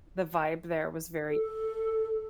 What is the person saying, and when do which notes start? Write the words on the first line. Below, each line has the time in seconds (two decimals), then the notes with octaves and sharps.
The vibe there was very
1.30 A4